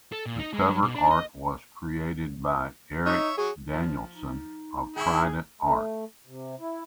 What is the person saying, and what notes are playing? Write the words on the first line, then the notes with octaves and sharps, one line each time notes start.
The cover art was created by Erik Danielsson of Trident Art.
A4
A#2
D#4
G#3
F#3
B2
D4
D#5
D#4 C#5 E5
F#3 G#4 C#5
F3
D#4
D#3 E4 G#4 E5 G5 C#6
A3
C3
E4